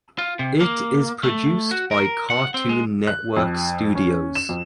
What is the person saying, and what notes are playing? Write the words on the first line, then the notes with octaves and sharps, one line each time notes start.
It is produced by Cartoon Network Studios.
F4
C3
A#3
A3
F#4
A#4
F#5
C4
G#3
F#6
F2
C#4
E7
F2